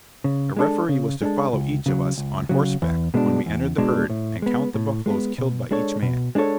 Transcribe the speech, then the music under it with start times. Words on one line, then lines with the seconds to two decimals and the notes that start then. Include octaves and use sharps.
A referee was to follow each of us on horseback when we entered the herd, and count the buffaloes killed by each man.
0.24 C#3
0.57 G#3 D4 A4
0.89 C#3
1.22 G#3 D4 A4
1.53 C#2
1.86 C#3 F#3
2.18 C#2
2.49 C#3 F#3
2.82 E2
3.14 B2 G#3 D4
3.46 E2
3.78 B2 G#3 D4
4.10 A2
4.42 G#3 B3
4.74 A2
5.06 G#3 B3
5.38 B2
5.71 G#3 D4 A4 C#5
6.02 B2
6.35 G#3 D4 A4 C#5